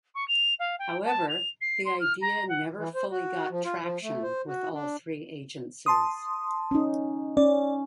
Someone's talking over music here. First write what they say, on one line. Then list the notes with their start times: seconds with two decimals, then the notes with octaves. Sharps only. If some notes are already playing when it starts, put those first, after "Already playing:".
However the idea never fully got traction with all three agencies.
0.14 C#6
0.27 F7
0.59 F5
0.79 G5
1.04 A5
1.28 F7
1.61 C7
1.85 C6
2.00 F6
2.21 A#5
2.48 F#5
2.77 E3
2.95 C5
3.11 F#4
3.50 F3
3.65 F4
3.82 F3
4.03 A3
4.23 C5
4.47 F#4
4.73 D4
5.86 A5 C6 D#6
6.71 C#4 D#4
7.37 C#4 D5